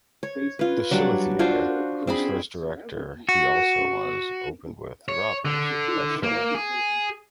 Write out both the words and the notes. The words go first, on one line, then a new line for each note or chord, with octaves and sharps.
The Schiller Theatre, whose first director he also was, opened with “The Robbers” by Schiller.
C#5
F4 B4
F#3 G3 D4 F#5
D4 F4 F#4 C5
C4 G#4 B5
F#4
C#5
D3
A#3
G#4